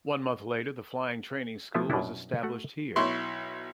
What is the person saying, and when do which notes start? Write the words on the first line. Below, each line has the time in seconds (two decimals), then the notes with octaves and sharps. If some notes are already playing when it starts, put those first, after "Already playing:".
One month later, the Flying Training School was established here.
1.74 F3 A3 B3 E4 F4 E5
1.90 F#2 B2 G3 B3 D4 E4
2.43 A3 F#4 F#5
2.96 B1 E4 C6 C#6